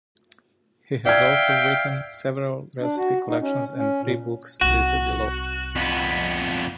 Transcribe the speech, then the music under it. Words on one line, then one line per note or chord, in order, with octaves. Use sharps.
He has also written several recipe collections and three books, listed below.
D5 E5 F5 G5 G#6
D4
F#4
D#4
C#4
C#4
A#2
C2 D#4 F#4
F2 B3